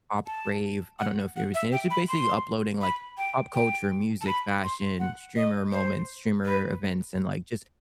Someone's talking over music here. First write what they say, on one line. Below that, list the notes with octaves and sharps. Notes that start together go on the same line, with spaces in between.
Pop Crave? I don't know if you've ever seen it, it's just basically uploading like pop culture, music, fashion, streamer moments, streamer events, and, like, just
A5
F#5
F#5
E5
G5
B5
C6
B5
G5
G5
A5
B5
C6
F#5
D#5
C5
B4